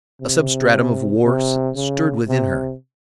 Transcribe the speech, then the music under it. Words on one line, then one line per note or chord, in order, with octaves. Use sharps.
A substratum of war stirred within her.
C3
C3
C#3
C3